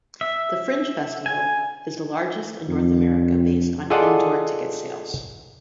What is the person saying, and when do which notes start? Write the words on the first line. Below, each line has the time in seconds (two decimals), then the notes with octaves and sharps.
The fringe festival is the largest in North America based on indoor ticket sales.
0.21 E5
1.26 G#5
2.69 F2
3.90 F4 G#4 A4 D5 D#5 F#5